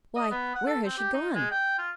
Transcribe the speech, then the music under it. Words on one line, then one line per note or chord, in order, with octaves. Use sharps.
"Why, where has she gone?"
D#5
B3
F#5
A4
C4
G4
D#4
G#3
G5
F4